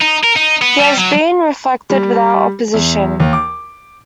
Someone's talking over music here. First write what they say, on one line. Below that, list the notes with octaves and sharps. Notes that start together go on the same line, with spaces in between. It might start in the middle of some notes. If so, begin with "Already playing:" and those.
He has been reflected without opposition.
D#4
A#4
D#4
B3
G3
F#3
G3
E2
D#2
D6